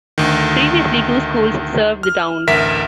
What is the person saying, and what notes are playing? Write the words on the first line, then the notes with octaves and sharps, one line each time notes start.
Previously, two schools served the town.
D2 D#3
F6
A1 D2 A#4 E5 B6